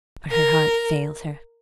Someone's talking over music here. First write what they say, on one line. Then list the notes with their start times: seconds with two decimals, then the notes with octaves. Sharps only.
But her heart failed her.
0.31 A#4